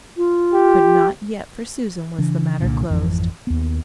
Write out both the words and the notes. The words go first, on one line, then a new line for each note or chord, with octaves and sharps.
But not yet for Susan was the matter closed.
F4
G4
C#3 E3 D4
C2 A#2 D3
G#1 F2 E3
D#2 B3